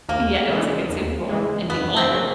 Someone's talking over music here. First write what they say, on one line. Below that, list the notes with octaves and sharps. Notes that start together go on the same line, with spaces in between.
Yeah, it was a good Super Bowl, and we won.
D#2 A#3
C#3 E3 G#3
D#2
C#3 E3 G#3
F#2 B3
C4
C#3 F#3 A#3 C#4